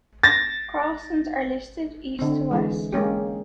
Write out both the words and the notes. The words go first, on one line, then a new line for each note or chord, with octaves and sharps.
Crossing are listed east to west.
A6 A#6
D3 C4
E3 G#3
G#3 A#3 C#4 G4